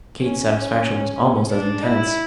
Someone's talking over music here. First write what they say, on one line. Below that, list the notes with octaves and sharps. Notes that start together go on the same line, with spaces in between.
Kate's satisfaction was almost as intense.
C#4
D4
E4